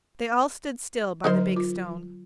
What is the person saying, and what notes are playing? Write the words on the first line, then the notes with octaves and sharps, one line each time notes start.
They all stood still by the big stone.
D3 F#3 D#4 A#4 C5
F4